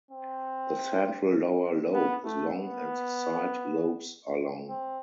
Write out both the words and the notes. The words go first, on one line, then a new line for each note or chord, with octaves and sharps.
The central lower lobe is long and the side lobes are long.
C4
B3
A3
B3
C4